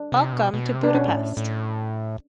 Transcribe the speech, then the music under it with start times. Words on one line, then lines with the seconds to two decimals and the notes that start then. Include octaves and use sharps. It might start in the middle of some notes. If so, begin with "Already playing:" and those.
Welcome to Budapest!
Already playing: D4
0.12 C3
0.33 B2
0.54 B2
0.74 C3
0.84 D4
0.95 B2 C#4
1.09 G#2
1.15 A2
1.37 A2